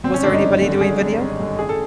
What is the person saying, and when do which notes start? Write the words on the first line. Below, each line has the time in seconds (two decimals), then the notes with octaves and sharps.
was there anybody doing video?
0.04 G#1 C4
0.14 C#4
0.23 G2 D3 D4
0.33 D#4
0.42 G#1
0.62 G2 D3
0.81 G#1 G#4
1.01 G2 D3
1.20 G#1
1.39 G2 D3
1.58 A1 G#4
1.69 A4